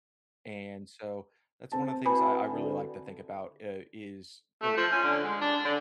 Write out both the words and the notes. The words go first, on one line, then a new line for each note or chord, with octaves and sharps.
And so, that's one of the things I I really like to think about, uh, is the
C4 A5
E4 F#4 B4 G#5 B5
D3
A3
F3
C#4
D3
G#3
D4
D3